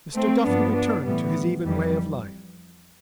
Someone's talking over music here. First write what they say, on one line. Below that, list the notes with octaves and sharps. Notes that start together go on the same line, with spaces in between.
Mr. Duffy returned to his even way of life.
A3 C4
G2 F3 B3 D4
B3 D4
A2 E3 G3 B3
F2 E3 G3